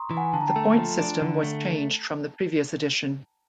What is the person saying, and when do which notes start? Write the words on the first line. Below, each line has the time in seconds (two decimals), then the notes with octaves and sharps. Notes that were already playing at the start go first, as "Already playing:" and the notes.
The points system was changed from the previous edition.
Already playing: A#5 C6 C#6 D#6
0.11 E3
0.17 F#5 G#5
0.33 D3 A5
0.41 A#5
0.47 G5 A5
0.56 A3
0.77 F3
0.99 D4
1.22 D3
1.43 A3